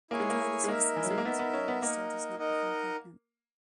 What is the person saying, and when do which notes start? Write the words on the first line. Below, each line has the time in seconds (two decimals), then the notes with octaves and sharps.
They try this for six months but Amy still does not become pregnant.
0.11 A#3 E4 G#4 C#5 G#5
0.20 G#3
0.29 A#3
0.64 G#3
0.68 A#3 D#4 A#4 E5
0.96 E3
1.04 F#3
1.11 G#3
1.18 A#3
1.25 B3 D#4 A#4 E5
1.39 B3
1.53 C#4
1.68 B3
1.82 A#3 D#4 A#4 D#5 F#5
2.39 D#4 A#4 D#5 F#5